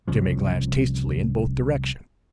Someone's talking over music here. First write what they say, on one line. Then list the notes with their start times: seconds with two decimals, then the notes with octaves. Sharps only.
Jimmy glanced hastily in both directions.
0.08 C2 C#3 F3